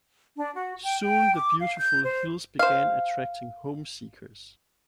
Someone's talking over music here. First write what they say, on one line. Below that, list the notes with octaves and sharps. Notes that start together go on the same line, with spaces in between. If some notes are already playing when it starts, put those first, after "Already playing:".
Soon the beautiful hills began attracting home-seekers.
D4
F#4
G5
G5
D6
F5
G6
C5
C5 F5